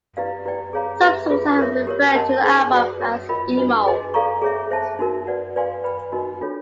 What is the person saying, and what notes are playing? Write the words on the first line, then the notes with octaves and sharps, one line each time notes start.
Some sources have referred to the album as "emo".
E4 G4 B4 D5 F5
E4 G4 B4 D5 G5
G#4 C#5 F5 A#5
G4 B4 E5
F4 G#4 B4
A#4 C#5 E5
G4 A#4 C#5
A#4 D#5 F#5 A5 C6
D#4 G#4 C5
F#4 B4 D5
A#4 C#5 E5
F4 A#4 D#5 G5 B5
D4 F#4 B4 D#5
G#4 B4 D#5 G#5 C6
A4 D5 F5 A#5 C#6
G#4 C#5 E5
C5 E5 A5
D#4 F#4 A#4
B4 D5 F#5
B4 D5 F5 G#5 C6
B4 D5 G5 B5
D#4 F#4 A#4 D#5
D4 F4 A4 C#5